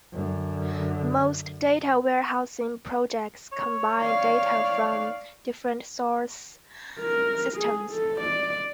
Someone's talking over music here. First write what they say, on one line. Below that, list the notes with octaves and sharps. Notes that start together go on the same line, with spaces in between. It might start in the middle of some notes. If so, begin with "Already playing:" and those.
Most data-warehousing projects combine data from different source systems.
F#2 D3
C#5
D5 F5
A#4
G#4
A4
D5